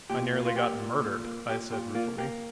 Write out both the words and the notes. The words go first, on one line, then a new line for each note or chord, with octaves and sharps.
"I nearly got murdered," I said ruefully.
A#2 G4
A#3
F4
A#3 G4
A#2
A#2
A#3
A#2 G4
A#2 G4
A#3 F4
A#3 G4